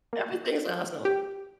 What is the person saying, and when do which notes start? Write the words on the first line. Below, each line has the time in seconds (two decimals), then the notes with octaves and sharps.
Everything is a hustle.
0.13 A#3
1.05 G4